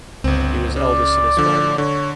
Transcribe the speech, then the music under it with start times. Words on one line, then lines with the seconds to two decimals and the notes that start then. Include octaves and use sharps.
He was eldest in his family.
0.24 G1 C#2 C4
0.76 C#3 D5
1.37 D3 F3
1.78 D3 C#5